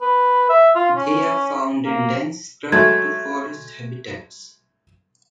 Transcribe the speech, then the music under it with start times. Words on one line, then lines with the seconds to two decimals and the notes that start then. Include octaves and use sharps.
They are found in dense scrub to forest habitats.
0.02 B4
0.50 E5
0.76 F4
0.97 C#4
1.86 A#3
2.72 F#3 G#3 A3 G#6